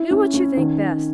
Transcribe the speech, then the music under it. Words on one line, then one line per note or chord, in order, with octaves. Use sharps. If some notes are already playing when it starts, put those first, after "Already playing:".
Do what you think best.
Already playing: E4
C#4
C#4
D#3